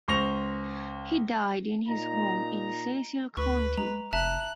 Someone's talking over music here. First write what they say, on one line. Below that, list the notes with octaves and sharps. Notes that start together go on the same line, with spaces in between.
He died in his home in Cecil County.
C#2 C5 C#6 A#6 F7
A#2 D#4 A#5
D2 B4 C#6
G#3 A#5
F1 E5 A5 A#5 F#6